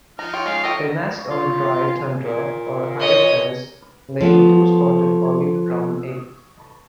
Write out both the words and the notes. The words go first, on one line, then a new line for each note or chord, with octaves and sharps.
They nest on dry tundra or higher fells laying two spotted olive-brown eggs.
F3 D#4 A#5 F6
C5 C#5 G5
G#3 C#4 F5
A4 C#5 D#5 G5
F4
A#2
C#5 D#5
F3 A3 B3